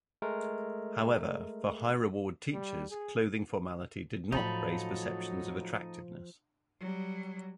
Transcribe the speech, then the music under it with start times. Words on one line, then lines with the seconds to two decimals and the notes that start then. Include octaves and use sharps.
However, for high-reward teachers, clothing formality did not raise perceptions of attractiveness.
0.22 G#3 A3 A#4
2.52 G3
2.91 G#4
4.32 A2 F3 F#3 A3 D#4 A4 B5
6.80 F#3 G3